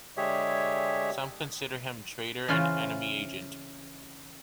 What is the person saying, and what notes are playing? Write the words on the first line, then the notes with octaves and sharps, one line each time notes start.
Some consider him traitor and enemy agent.
D3 G#3 G4 G#4 C#5 E5
C#3 E3 C#4 F4 C5